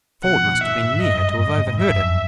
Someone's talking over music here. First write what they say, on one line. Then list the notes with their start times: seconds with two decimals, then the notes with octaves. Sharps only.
Ford must have been near to have overheard it.
0.24 B2 F#5
0.35 F3
0.44 D#3
0.53 A#2
0.63 A#2 E5
0.73 A2
0.83 G#2
0.92 G2
1.02 G2 D#5
1.15 F#2
1.28 G#2
1.41 G#2 D#5
1.54 A2
1.67 G#2
1.80 G2 E5
1.90 F#2
2.00 F2